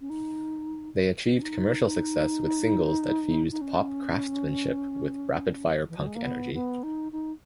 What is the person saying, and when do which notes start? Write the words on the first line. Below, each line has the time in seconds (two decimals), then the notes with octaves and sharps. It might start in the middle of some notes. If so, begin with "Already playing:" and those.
They achieved commercial success with singles that fused pop craftsmanship with rapid-fire punk energy.
0.01 C#4
0.10 D#4
1.35 C#4
1.42 D#4
1.85 D#4
3.52 D#4
3.61 C#4
5.89 E3
5.97 F#3
6.06 G#3
6.15 A#3
6.24 B3
6.54 B3
6.83 D#4
7.12 D#4